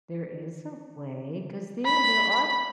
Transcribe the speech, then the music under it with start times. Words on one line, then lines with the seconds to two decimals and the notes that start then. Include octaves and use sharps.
There is a way, 'cause yeah, there are b
1.85 B5